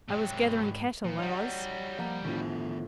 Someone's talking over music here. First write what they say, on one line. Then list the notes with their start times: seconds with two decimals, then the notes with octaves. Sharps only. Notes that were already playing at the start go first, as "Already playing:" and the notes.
I was gatherin' cattle, I was.
0.09 G#2 C3 F#3 G5
1.04 A#2 F3
1.19 G3 D#4 C#5 F#5
1.99 F3 A#3 F#5 A#5
2.24 A2 D3 D#3 F3 B3